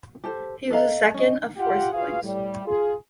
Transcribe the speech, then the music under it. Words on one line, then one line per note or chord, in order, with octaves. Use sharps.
He was the second of four siblings.
G4 A4 C5
A4 D#5 F5 A#5
C#4 D#5
F4 G4 F#5
F4 F#4 G#4 B4 F5
A2 G3
F4 G#4